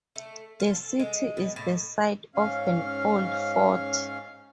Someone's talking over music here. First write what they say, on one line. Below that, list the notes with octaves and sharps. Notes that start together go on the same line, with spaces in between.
The city is the site of an old fort.
A3
F4
A4
G#3
B2
A2
G#2 C#4 F5